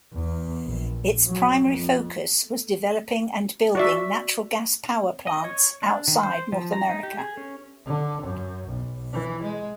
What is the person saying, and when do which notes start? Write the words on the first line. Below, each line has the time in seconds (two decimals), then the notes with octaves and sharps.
Its primary focus was developing and building natural gas power plants outside North America.
0.14 E2
0.67 A#1
1.24 F#3
1.66 F2
3.75 F#4 D5 E5
5.27 D#5
5.44 C#5
5.82 D4
6.08 D#3
6.23 C5
6.52 F3
6.73 A#5
6.89 D#4
7.03 G4
7.18 G#4
7.37 C#4
7.86 D3
8.23 F#2
8.68 B1
9.13 E3
9.43 G#3